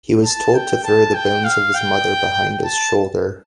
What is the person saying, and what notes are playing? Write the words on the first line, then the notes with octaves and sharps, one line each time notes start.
He was told to throw the bones of his mother behind his shoulder.
A5
G5
A5
G5
F5
G5
A5